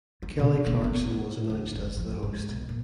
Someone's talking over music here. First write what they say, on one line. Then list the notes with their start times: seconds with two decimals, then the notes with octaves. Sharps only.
Kelly Clarkson was announced as the host.
0.22 F4
0.39 B2
0.67 A#3
0.84 B3
1.03 D#4
1.50 D2
1.72 F#1
1.97 F3
2.23 G#2
2.49 B1
2.69 A#2